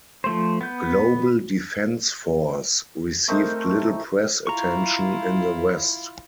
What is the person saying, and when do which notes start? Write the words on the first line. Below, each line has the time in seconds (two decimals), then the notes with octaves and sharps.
"Global Defence Force" received little press attention in the West.
0.24 F3 A3 C5
0.61 B3 G6
3.28 A3 C4 D#4 A#4
4.47 E4 F4 A#5 C#6